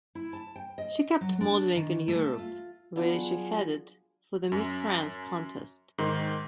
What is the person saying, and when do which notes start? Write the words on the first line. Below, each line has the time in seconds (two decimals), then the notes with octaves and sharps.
She kept modeling in Europe, where she headed for the "Miss France" Contest.
0.15 E4
0.33 A5
0.56 G5
0.78 D#5
1.21 F#3
1.41 D4
1.75 D#3
2.08 A3
2.39 F4
2.96 B3 D4 F4
3.14 F#3 G#4
4.52 F#2
5.98 G#2 D#3